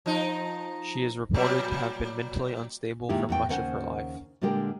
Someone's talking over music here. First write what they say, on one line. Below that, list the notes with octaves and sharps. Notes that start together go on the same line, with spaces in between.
She is reported to have been mentally unstable for much of her life.
F3 D#4
A#2 F#3 G3
A#2 D#3 G#3 E4 G4
E2 A2 G5
D#2 C#3 A#4 C5 F#5 G#5
A#2 D3 G#3 G4 A#4 G5